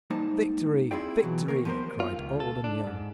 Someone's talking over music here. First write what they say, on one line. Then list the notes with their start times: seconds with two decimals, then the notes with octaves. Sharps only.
"Victory! victory!" cried old and young.
0.10 G#2 G3 A#3 D#4 C5 A5
0.91 C4 E4 F4 G#4 D5 G5
1.23 B2 E3 F#3
1.48 D#3 A#3 A#4
1.65 F3 G3 B3 A4 A#4 C5
2.00 F4
2.18 C#2
2.40 A4
2.64 D4
2.87 G#2